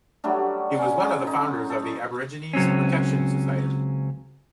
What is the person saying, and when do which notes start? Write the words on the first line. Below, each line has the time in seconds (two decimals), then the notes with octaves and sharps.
He was one of the founders of the Aborigines' Protection Society.
0.24 F#3 G3 A3 D4
0.79 C#4
1.00 F#2
1.27 D#4
1.70 A4
2.53 C#2 F#3 C4 C#4